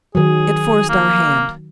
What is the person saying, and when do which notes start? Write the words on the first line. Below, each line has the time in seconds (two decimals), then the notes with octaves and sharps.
It forced our hand.
0.15 D#3 F#3 G#4
0.89 A#3